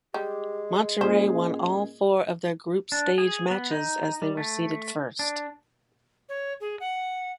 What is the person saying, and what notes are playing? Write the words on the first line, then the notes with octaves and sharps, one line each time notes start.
Monterrey won all four of their group stage matches as they were seeded first.
G3 G#3 G4
A#2 C#4 G#4 C5
D4
G#4
B3
D#4
G3
A3
D4
C#5
G#4
F#5